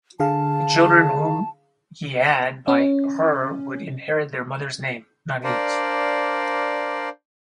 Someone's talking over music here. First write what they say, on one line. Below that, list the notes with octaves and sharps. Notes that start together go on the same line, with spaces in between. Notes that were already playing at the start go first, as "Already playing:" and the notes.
The children whom he had by her would inherit their mother's name, not his.
D3 G#4 F5 A5
C#4
D4 A#4 C5 D5 F5